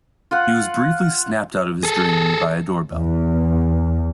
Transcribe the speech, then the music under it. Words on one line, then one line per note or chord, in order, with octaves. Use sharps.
He was briefly snapped out of his dreaming by a door bell.
F4 F5 F#5
G#4 A4
E2